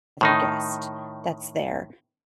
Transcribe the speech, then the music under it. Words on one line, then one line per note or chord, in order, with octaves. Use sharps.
other guest that's there
A2 D#3 D#4